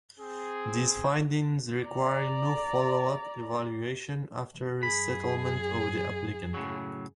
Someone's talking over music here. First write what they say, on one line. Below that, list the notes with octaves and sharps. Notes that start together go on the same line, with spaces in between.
These findings require no follow-up evaluation after resettlement of the applicant.
C4 G#4
D5 A#5
F#2 G#4 B5
A2 C#3 F#3